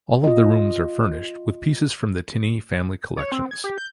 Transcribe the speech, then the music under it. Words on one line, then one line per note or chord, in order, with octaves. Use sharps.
All of the rooms are furnished with pieces from the Tinney Family collections.
F4 D#5
C#5
C4
G#6
G4
G6